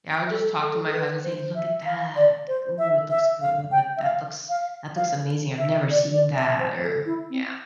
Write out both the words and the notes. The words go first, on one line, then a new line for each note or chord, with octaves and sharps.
Yeah, I would just talk to my husband, say, "Look at that." Like, "Ooh, it looks good, that looks that looks amazing, I've never seen that," or yeah.
A4
A4
A4
B4
C5
E5
F5
D5
C5
E5
E5
F5
G5
E5
F5
F5
F5
E5
D5
D5
E5
C5
A4
E4
C4